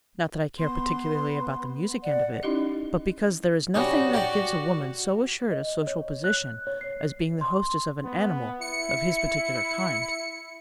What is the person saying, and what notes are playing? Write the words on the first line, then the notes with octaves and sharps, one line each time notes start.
Not that I care particularly about the music end of it, but because there is nothing that gives a woman so assured a social position as being the hostess of an animal of his particular kind.
B3 C6
D5 F#5
C#4 D#4 E4 G4 D#5
G3 C#4 D#4 F#4
G4 D5
D#5
C#5
F#6
C#5
C7
C6
B3
E4 C#7